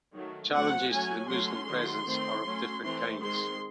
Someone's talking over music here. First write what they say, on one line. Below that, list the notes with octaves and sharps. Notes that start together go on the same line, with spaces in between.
Challenges to the Muslim presence are of different kinds.
D#3 F#3 A3
F#3 A3 C4 F#5
F#3 A3 C#4 G#5
F#3 A3 C#4 C6
D#3 F#3 A3
D#3 A3 C4
F#3 A3 C#4
E3 A3 C4 C6
D#3 G#3 C4 C6